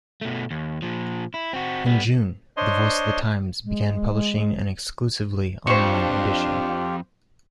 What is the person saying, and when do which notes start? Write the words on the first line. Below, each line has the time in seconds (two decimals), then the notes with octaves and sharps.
In June, the "Voice of the Times" began publishing an exclusively online edition.
0.21 B2 A3
0.51 D#2
0.82 A#2 F3
1.34 E4
1.53 C4 F#4
1.86 G3 B3
2.57 D4 C5 C#5 D#5 C6
3.65 G#3
5.67 F2 D4 F4 G4 C5 C#6